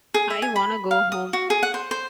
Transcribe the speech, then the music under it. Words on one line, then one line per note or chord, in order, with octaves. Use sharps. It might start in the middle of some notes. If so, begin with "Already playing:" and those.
I wanna go home.
G#4
E5
G#5
B5
F5
D#6
F#4
G#4
F#5
C5
C5